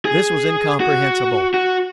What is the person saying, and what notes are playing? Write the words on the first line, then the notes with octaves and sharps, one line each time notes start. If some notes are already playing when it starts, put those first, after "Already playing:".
This was incomprehensible.
G#4
F#4
F#4